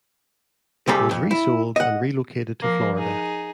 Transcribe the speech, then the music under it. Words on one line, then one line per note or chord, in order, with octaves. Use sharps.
It was resold and relocated to Florida.
C2 C3 G3 G#4 A4 A#5
F2
E4
D#5 F#5
F3 A#3
D#4 G#4